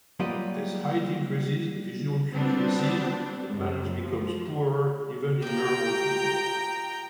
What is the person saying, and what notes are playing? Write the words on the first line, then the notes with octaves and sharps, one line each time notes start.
As height increases, visual cues recede and balance becomes poorer even in normal people.
F#3 G3 A#3 F4 G4 D#5
G3 B3 C4 D4
F#2
F3
F3 G4 G5 A#5